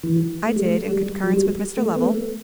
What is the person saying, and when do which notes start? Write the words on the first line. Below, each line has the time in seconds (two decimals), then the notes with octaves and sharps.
"I did, in concurrence with Mr. Lovell."
0.03 E3
0.46 A3
0.56 G3
0.64 A3
0.90 G3
1.24 F#3
1.33 G3
1.77 A3
1.96 B3
2.05 A3